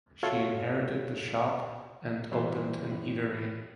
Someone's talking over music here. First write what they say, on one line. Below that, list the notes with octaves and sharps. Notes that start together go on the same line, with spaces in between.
She inherited the shop and opened an eatery.
F4 F#4 A4 C#5 E5 F5
E3 G3 F#4 C5
A2